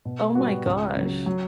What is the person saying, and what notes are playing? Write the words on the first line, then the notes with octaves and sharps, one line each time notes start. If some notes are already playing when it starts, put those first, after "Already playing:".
Oh my gosh.
B2
G3 B3 F#4
C#2
C#3 F#3
F#3